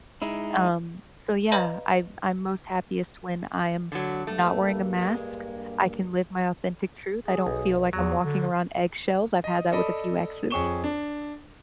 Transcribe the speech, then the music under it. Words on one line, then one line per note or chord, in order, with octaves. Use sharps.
Um, so, yeah, I'm I'm most happiest when I am not wearing a mask, I can live my authentic truth, I don't feel like I'm walking around eggshells. I've had that with a few exes.
G#3 D#4 E4
B4 D5 D#5 F5 A#5 B5
D3 F#3
G2 A3 A#3
G#3
G#4
B1
E2 F#3
D3
D#5
A4 D5 D#5 B5
F2 G#4 C#5 C#6 E7 G7
D4